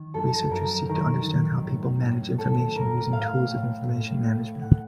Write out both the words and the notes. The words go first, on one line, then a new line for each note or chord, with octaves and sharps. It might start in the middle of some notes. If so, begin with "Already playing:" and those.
Researchers seek to understand how people manage information using tools of information management.
Already playing: D#3
F#2 A4
F#2 A#4
D#3 A#4
D#3
A2
A2
A2 A4
A2 A#4
A2 F5
A2
A2
A2
A2 F#5